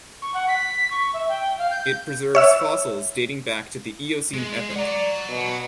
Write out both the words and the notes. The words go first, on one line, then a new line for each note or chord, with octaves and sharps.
It preserves fossils dating back to the Eocene epoch.
C#6
F#5
B6
C#6
E5
G5
F5
G6
G6
C#5 E5 E6
G#3
D5 F#5 A#5
B2